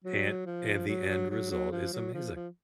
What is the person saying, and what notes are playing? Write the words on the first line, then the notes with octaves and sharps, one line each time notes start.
and and the end result is amazing.
F#3
F3
F#3
F#3
F#3
F#3
F3
F#3
F3
F3